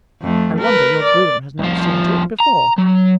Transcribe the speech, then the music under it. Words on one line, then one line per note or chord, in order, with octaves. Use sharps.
I wonder your groom has not seen to it before.
F2 A3
A#4 B4
D5
C2 F3
A#5
F#3